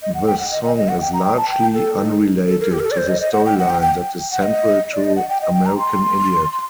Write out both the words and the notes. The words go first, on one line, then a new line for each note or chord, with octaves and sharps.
The song is largely unrelated to the storyline that is central to "American Idiot".
D#5
F#5
G5
F#5
D#5
D#5
D#5
F#5
G5
A#5
G5
A5
G5
A4
D#4
A4
A#4
G4
A#4
A4
D5
C5
D#5
D#5
F#5
G5
F#5
G5
G5
F#5
D#5
D5
D#5
F#5
G5
D#5
G5
A#5
C6